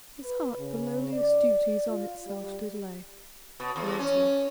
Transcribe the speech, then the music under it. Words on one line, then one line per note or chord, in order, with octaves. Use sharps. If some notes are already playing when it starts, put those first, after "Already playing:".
"His heart The lowliest duties on itself did lay." --WORDSWORTH.
B4
C#3
D5
F4
G3
B2
E2
C#4